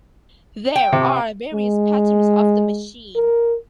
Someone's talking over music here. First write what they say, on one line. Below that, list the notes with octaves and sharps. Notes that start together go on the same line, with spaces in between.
There are various patterns of the machine.
G5
C3
G#3
A#4